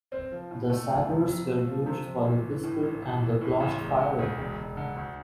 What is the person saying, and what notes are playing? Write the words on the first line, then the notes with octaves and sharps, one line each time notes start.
The saggars were used for the biscuit and the glost firing.
C4
F3
A2
A3
F3
C3
F2
A3
F3
C3
F2
A1
E3
A2
A1
A1
E3
A2
A1
E1
D3
D2
E1
E1
D3
D2